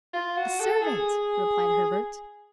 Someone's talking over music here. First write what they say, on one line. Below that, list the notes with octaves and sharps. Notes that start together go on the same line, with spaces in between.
"A servant!" replied Herbert.
F4
F#4
A4
G#4